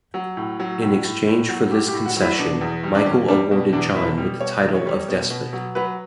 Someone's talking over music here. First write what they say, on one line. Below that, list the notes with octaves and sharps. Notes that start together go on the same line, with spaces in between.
In exchange for this concession, Michael awarded John with the title of Despot.
F#3
A2
F#3
A2
A2
A2
F#3
A2 G4
G4
A2
F#4
F#3
E4
B2 D4
E2
G3
D4
E2 C#4
G3 D4
B2
E2 D4
B2 E4
G3
B2 C#5
E2
C#5
G3
B2
B2
F#3
F#3 B4